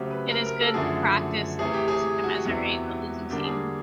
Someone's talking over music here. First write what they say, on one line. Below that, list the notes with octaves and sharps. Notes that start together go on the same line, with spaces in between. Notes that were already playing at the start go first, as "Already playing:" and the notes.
It is good practice to commiserate the losing team.
Already playing: C#3 F#3 A3 C4 G4
B4
A#4
A#4
A4
F#2 D3 F3 A3 D4 G#4
C3 E3 A3 G#4
G4
G#4
F#4
E2 C3 E3
D3 G3 A#3 D4 G4
G#4